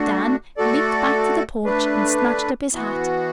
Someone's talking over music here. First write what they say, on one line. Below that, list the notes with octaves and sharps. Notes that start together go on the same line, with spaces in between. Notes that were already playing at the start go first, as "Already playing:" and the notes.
Dan leaped back to the porch and snatched up his hat.
Already playing: A3 D4 F#4
A3 F#4 A4 D5
A3 D4 B4
E3 B3 F#4